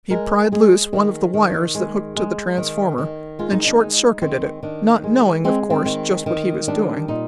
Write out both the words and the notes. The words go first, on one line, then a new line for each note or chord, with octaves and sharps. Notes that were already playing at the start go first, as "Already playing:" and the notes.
He'd pried loose one of the wires that hooked to the transformer, and short-circuited it, not knowing, of course, just what he was doing.
G#3 A#4
G#3 G#4
D#3
D#3
G#3
G#3
D#3
D#3
G#3 F4
D#4
D4
G#3 D#4
D#3 C4
D#3 D4
G#3
G#3 C4
C4
D#3
D#3
G3 D4
A#2 D#4